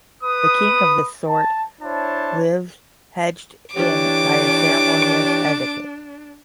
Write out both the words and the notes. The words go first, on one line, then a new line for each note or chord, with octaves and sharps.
A king of this sort lives hedged in by a ceremonious etiquette.
B4 D#6
A5
D4 E4 C5 C#5 A5
E3 D4 G4 C#5 D6